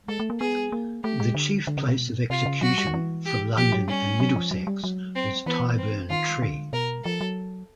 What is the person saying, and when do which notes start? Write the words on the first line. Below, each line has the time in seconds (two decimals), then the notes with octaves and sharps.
The chief place of execution for London and Middlesex was Tyburn Tree.
0.08 G#3 A4
0.20 A3
0.30 A#3
0.40 B3 G#4
0.72 A#3
1.04 A3 G4
1.20 G#3
1.35 D3
1.67 D3
1.77 C#3
1.88 B2
2.30 C3 F4
2.46 C#3
2.61 F#3 F#4
2.78 G3
2.87 D#3
2.94 E3
3.25 G4
3.57 F3 G4
3.72 F#3
3.88 G3 C#4
4.20 F#3
4.36 F3
4.51 F#3
4.67 G3
4.84 F#3
5.15 C4
5.46 E3 B3
5.78 C4
6.10 D#3 F4
6.42 D3
6.73 B2 A#4
7.05 F3 A4
7.21 F#3